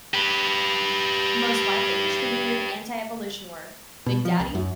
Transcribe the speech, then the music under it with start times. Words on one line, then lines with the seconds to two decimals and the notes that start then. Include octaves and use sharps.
The most widely distributed antievolution work, Big Daddy?
0.14 G4 B4
4.06 B2
4.25 F3
4.40 C2
4.55 F#2